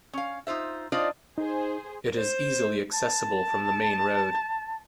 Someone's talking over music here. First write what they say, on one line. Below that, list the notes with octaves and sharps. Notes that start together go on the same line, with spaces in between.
It is easily accessible from the main road.
C#4 F5
D#4 F4 C5 E5
D4 D#4 F4 C5 D5 D#5
D#4 G#4 C5
C5
A5